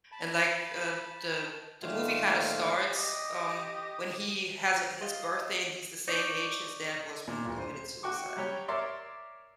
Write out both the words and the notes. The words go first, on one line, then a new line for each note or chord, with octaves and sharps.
and, like, uh, the the movie kinda starts, um, when he has, uh, his birthday and he's the same age his dad was when he committed suicide
A5 B5
A#2 D#3 A3 F4 F5
G4 D#5
F4 D#5 F5
D#4 D5 C#6 D6
A#2
D1
C5
F#4 G5 C#6 D6
F#3 G3 G4 C#5
A#4 C#5 D5 E5 C6